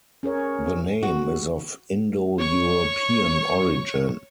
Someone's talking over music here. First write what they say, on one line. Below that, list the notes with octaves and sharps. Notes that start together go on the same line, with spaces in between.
The name is of Indo-European origin.
C#4 G#4 A#4 C#5
F#4
C#5 C#6